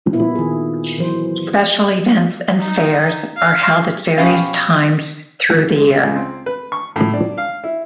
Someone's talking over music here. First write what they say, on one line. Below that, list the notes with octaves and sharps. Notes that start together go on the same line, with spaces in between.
Special events and fairs are held at various times through the year.
A#2 A#3 B3 E4
D#3 G#4
E3 F#3 C5
D#4
F5
B2 C#4 F4 G4 F5 G5
G#3
C#2
C4
B4
C#6
A2
D4
F5
E4